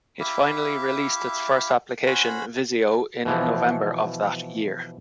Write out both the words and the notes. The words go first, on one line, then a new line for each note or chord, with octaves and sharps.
It finally released its first application, Visio, in November of that year.
E4 G4 E5 F5
C#4 F#4 C5 B5
B2 E3 F3